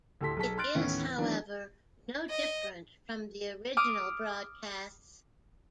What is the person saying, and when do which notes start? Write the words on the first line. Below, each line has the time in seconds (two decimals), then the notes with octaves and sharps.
It is, however, no different from the original broadcasts.
0.21 D2 A2 G4 A4 C6 B6
0.37 B1 G#4 A4 B6
0.58 C6 F6 F#6 A6 D7
0.75 D#2 A2 E3 B3 C#4
1.03 E3
1.18 D#3 E3 F#3 B3 D4
2.29 D#5
3.77 D6 D#6 F6